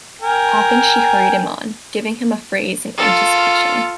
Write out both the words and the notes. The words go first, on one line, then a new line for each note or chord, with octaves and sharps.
Often she hurried him on, giving him a phrase in anticipation.
A#4 G5 G#5
F4 A4